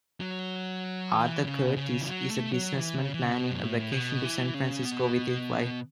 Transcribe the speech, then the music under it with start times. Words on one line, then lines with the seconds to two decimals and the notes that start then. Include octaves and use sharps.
Arthur Curtis is a businessman planning a vacation to San Francisco with his wife.
0.20 F#3
1.14 E3
1.45 C#3
1.68 B2
1.76 C#3
2.01 E3
2.07 F#3
2.30 A3
2.52 F#3
2.77 E3
2.99 C#3
3.14 E3
3.23 C#3
3.31 B2
3.52 F#2
3.61 A2
3.92 B2
4.23 E3
4.54 C#3
4.85 B2